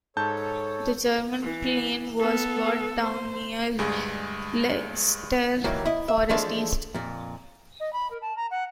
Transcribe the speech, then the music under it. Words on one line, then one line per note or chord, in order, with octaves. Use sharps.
The German plane was brought down near Leicester Forest East.
G#2 A4 C#5 A5 G6
E3
B3 A4
C5
D2 G2 G#3 G#4
D#3 E3 F#3 G3 A#3
E4 D#5
E5
E3 F3 G#3 A3 D4
F2 A#2
D#5
B5
A#4
A5
A#5
F#5